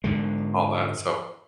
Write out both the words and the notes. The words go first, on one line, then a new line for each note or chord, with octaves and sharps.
all that, so
G#2 D3 G#3